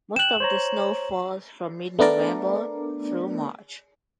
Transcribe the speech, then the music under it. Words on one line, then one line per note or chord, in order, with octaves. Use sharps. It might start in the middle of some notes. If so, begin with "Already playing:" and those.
Most of the snow falls from mid-November through March.
G5 F#6 E7 F#7
C5 C#5 A#5
A3 B3 D4 A#4 D5